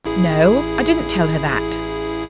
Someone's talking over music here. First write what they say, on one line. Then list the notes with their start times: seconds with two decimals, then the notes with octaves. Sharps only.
"No; I didn't tell her that."
0.05 A1 E4 G#4